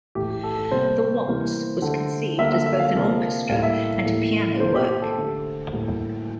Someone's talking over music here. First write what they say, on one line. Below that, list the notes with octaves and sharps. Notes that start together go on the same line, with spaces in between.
The waltz was conceived as both an orchestra and a piano work.
A2 E3 A3 G4
G4
A4
A4
C3 G3 A#3 C5
C3 E3 G3 A#3
D3 A3
D3 G3 A#3 E5
E5
E5
F5
C3 F3 A#3
A2 G3 A#3 F5
E5
A2 E3 A#3
C3 F3 A#3 C5
G4
G4
A4
D3 A3
A2 G3 A#3